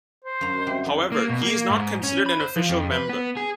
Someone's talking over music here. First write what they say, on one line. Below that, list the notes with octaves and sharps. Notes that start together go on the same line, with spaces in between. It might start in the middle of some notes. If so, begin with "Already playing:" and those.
However, he is not considered an official member.
C5
F#2 A#5
F#4 A#4 D#5
G3 C4 E5 F#5
F2 A4 D5
A#3
B2
A#3
G#2
C#4
B5
C5
F3
F2
B4
B3
G#4